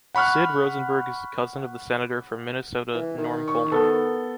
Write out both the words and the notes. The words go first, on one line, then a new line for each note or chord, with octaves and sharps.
Sid Rosenberg is the cousin of the senator from Minnesota Norm Coleman.
F#5 B5 C#6 F6 F#6
E3
D#3
C#6
B3 A4